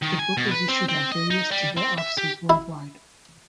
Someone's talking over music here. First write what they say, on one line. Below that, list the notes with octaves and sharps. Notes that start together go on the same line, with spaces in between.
The book is issued at various Tibet offices worldwide.
D#3
G#5
B2
B4
C4
C4
D#5
D#4
G3
C4
E5
G4
E4